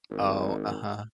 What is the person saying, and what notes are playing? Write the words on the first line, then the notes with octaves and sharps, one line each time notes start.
Oh, uh-huh.
G#1